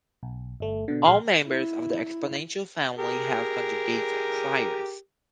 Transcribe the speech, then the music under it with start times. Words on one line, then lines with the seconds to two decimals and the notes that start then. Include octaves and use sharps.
All members of the exponential family have conjugate priors.
0.23 B1
0.60 G1 A3
0.88 B2 D3
1.06 A#1 G#4 F5 C6
1.47 E4
2.98 G4 G#4 A#4